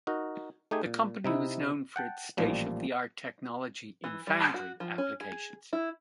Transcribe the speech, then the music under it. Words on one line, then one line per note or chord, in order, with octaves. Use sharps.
The company was known for its state of the art technology in foundry applications.
D#4 F#4 A#4
A3 D#4 G4 G#4 G#5
A#2
C3 D#4 E4
F#5 G5 A5
A1 A#2 F3 G3
E3
G3
F#4
F3
C#4
G#4
E4